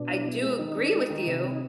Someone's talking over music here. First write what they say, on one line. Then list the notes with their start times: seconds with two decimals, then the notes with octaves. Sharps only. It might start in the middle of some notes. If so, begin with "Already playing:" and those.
I do agree with you
Already playing: B2 D4
0.08 E4
0.25 B3
0.42 G#3
0.59 D#3 D#4
0.76 D4
0.93 G#3
1.10 D#3
1.27 C3
1.43 C4
1.51 D#4